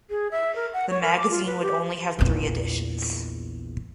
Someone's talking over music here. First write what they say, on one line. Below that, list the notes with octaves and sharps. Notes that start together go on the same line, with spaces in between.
The magazine would only have three editions.
G#4
E5
A#4
F#5
C#5
A#4
D6
F4
B4
G4
A#1 E2